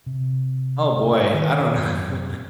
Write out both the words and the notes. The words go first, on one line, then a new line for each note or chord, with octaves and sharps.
Oh, boy. I don't kn
C3
D#3
F#2